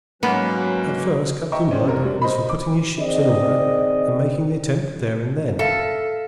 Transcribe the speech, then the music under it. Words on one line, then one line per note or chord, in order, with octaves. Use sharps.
At first Captain Blood was for putting his ships in order and making the attempt there and then.
G#2 F#3 A#3 B3 C#4 B4
D#5 E5 G5 A#5 C#6
C#4 D4 C5
F1 C3 A#4
G3 D4
C5 D#5 B5
D6
D#3 C4 G#4 D5 D#5
A4 E5 F5